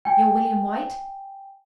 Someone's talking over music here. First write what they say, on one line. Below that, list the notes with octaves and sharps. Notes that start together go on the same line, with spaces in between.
"You're William White?"
G5 G#5